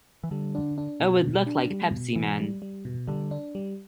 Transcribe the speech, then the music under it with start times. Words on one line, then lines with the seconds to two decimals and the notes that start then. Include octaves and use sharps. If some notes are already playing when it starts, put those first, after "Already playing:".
It would look like Pepsi Man!
0.24 E3
0.31 D3 G3
0.55 D4
0.78 D4
1.00 B2
1.24 B2
1.46 D4
1.70 G3
1.92 B2
2.16 B2 E3
2.40 G3
2.62 G3
2.85 B2
3.08 D3 G3
3.31 D4
3.55 G3